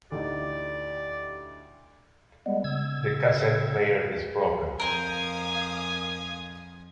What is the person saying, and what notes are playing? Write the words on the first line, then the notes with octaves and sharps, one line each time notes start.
The cassette player is broken.
D2 A2 D#4 G4 D5
G3 G#3 B3
C#3 E6 G#6
F2 A#4 C5 F5 G#5 D#6